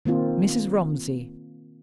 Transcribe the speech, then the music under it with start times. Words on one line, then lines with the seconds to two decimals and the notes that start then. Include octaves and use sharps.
Mrs. Romsey.
0.05 D#3 A#3 C4 F4